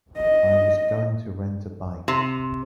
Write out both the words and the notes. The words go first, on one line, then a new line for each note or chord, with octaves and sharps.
I was going to rent a bike.
D#5
C3